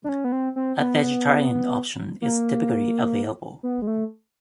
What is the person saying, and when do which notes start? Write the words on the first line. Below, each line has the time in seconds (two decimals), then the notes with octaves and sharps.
A vegetarian option is typically available.
0.04 D4
0.09 C#4
0.24 B3
0.32 C4
0.56 C4
0.79 B3
2.22 A#3
3.63 B3
3.82 G#3
3.87 A3